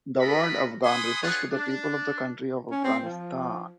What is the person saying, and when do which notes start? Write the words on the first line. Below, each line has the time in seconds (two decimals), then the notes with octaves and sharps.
The word "afghan" refers to the people of the country of Afghanistan.
0.19 F#4 A4 A#4 D#5 B5
0.84 F#5 G#5 B5 C6 D#6
1.22 D4 F4 G#4 B4 C#5 F#5
1.51 D4
2.71 C#4
2.84 C4
3.05 F3